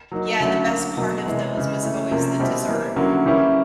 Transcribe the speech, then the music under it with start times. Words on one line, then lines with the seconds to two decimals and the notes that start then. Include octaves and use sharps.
Yeah, and the best part of those was always the dessert.
0.12 F#3 A#3 D#4
0.40 D3 F#3 A3 C#4 E4
0.69 F#3 A#3 D4
0.97 B2 F#3 A#3
1.26 C3 E3 G#3
1.55 C#3 E3 G#3
1.83 E3 A3 C#4
2.12 C3 F3 A#3 C#4
2.40 B2 G3 C4 E4
2.68 E3 G3 A#3
2.96 D3 F#3 A#3 C#4 E4
3.25 E3 G3 A#3 C#4 E4